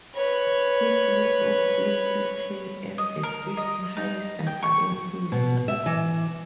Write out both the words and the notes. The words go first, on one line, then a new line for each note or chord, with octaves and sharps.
His leap of places him as the fifth-highest jumper in history.
B4 C#5
D#5
A#4
D#5
D#4
G5
C#6
B2
E5
E3